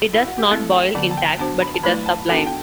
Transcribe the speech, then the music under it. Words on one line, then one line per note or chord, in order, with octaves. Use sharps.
It does not boil intact, but it does sublime.
E4
F#4
G4
A3 C4 E4 A4
G5
D3 F#3 B3 A5
A5
G5
B3 D4 F#4 C5 A5
B5
A5
F#3 A3 E4 B4 B5
A5
B3 D4 F#4 A4 G5
A5
G5